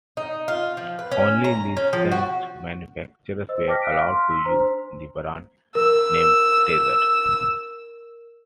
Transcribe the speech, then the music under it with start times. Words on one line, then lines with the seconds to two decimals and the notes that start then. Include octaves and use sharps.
Only licensed manufacturers were allowed to use the brand name "Tessar".
0.17 D#4
0.48 F4
0.77 F3
0.99 B4
1.12 C#4
1.44 A#5
1.77 C#4
1.93 F3
2.12 F#4
3.49 C5 D#5 E6
3.67 G5 A5 D6 F6 A#6 B6
3.82 F5 F6 F#6 B6 D7
4.08 C6
4.30 C6 E6 B6
4.45 D4 C5 A#5
5.75 A#4 E6